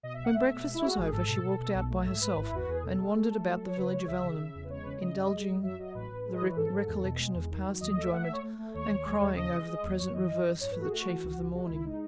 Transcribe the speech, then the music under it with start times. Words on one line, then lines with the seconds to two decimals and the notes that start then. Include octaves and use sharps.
When breakfast was over she walked out by herself, and wandered about the village of Allenham, indulging the recollection of past enjoyment and crying over the present reverse for the chief of the morning.
0.03 B2 D#5
0.14 E5
0.19 B1
0.24 F#5
0.34 A3 E5
0.50 B2
0.65 G#3
0.74 E4
0.81 G#3 F#4
0.96 G#1 G#4
1.12 G#2 A4
1.28 B2 A4
1.44 B2
1.59 B2
1.74 B1
1.90 A3
2.05 G#2 E5
2.21 G#2 B4
2.37 G#1 E4
2.52 E2 F#4
2.68 E2 G#4
2.83 B2 A4
2.98 G#3
3.15 A3
3.30 A3
3.45 F#3
3.61 F#3
3.67 C#5
3.77 C#3 B4
3.92 G#3 C#5
4.08 C#2 E5
4.23 C#3
4.39 C#3
4.55 E2
4.65 B4
4.70 G#3 C#5
4.83 C#3 B4
4.92 C#5
5.01 C#3 D#5
5.16 F#2
5.32 G#3
5.47 F#2
5.63 F#3 E5
5.79 F#3 D#5
5.94 A1 B4
6.10 A1
6.26 G#3
6.34 D#5
6.41 E3 C#5
6.49 B4
6.56 G#2 A4
6.72 G#2
6.88 E2
7.03 B2
7.19 G#3
7.34 E2
7.50 D#3
7.66 F#3
7.81 D#2 D#5
7.91 D#5
7.97 A3 E5
8.12 A3 F#5
8.23 E5
8.27 A3
8.33 C#5
8.43 A3
8.59 A3
8.74 D#2 C#5
8.90 D#2
9.05 G#3
9.21 D#2
9.36 C#3 D#5
9.52 G#3
9.67 G#3
9.83 D#2
9.98 F#2 C#5
10.14 E3 D#5
10.30 F#2
10.45 F#2
10.61 G#2 C#5
10.71 B4
10.76 A3
10.81 F#4
10.86 G#4
10.92 A3 F#4
11.07 E3
11.23 C#2
11.39 C#2
11.54 G#3 F#4
11.65 E4
11.70 C#2
11.75 E4
11.85 G#3 D#4